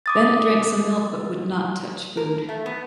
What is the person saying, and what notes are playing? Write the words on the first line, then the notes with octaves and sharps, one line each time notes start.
Bennet drank some milk but would not touch food.
D6 D#6 A6
A#4
A3
B3